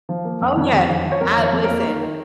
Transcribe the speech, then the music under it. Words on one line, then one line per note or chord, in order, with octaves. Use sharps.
Oh, yes. I listen,
F3
A#3
F2
F2
F2
F3
F3
C#5
F2 A#4
F3
C#5
F2
A#4
A#3
D#3
D#3